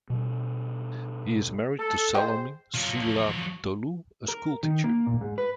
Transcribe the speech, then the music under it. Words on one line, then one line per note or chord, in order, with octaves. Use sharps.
He is married to Salome Silatolu, a school teacher.
B2 G3
A4
G#3 C5 D#5 G5
F3 F#3
A#4
D#3
A#3
A#2
G#2
B4